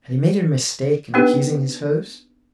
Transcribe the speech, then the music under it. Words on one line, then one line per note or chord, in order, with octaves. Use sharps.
Had he made a mistake in accusing his host?
A#3 B3 D4 D#4 G4 B4